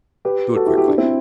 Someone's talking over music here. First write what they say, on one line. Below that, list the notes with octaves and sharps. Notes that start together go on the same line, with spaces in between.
"Do it quickly."
G4 B4
F#4 A4
E4 G4
E4 G4
D4 F#4
C4 E4